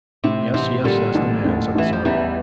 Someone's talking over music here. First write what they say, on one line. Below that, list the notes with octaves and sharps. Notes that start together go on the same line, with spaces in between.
'Yes, yes; that's the man,' said the sergeant.
A2 C3
A1 C3
A#2 D3 G3
A1
A2
A1 E3
F3
E2 E3 G3